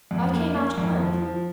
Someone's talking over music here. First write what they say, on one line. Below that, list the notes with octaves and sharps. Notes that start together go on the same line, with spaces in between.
I came out at once.
F2
A#3
A#3
F2
F3
F3